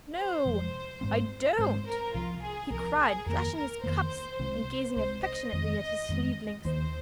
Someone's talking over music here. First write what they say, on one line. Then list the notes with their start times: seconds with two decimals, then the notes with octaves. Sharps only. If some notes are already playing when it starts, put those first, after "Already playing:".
'No, I don't,' he cried, flashing his cuffs and gazing affectionately at his sleeve-links.
0.17 C5
0.45 F2 C3 F3 G#3
1.01 G#2 G#3 C4
1.58 G#2 G#3 C4 C5
1.86 A#4
2.14 C2 C3 F3 F4
2.42 G#4
2.70 C2 C3 F3 A#4
2.99 G#4
3.26 F2 D#3 A#3 A#4
3.55 A#4
3.84 F2 D#3 A#3 C5
4.39 C2 C3 G#3 C4
4.96 C2 C3 G#3 C4 C5
5.23 D#5
5.53 F2 D#3 G#3 C4
6.09 F2 D#3 G#3 C4
6.64 D#2 D#3 A#3 C5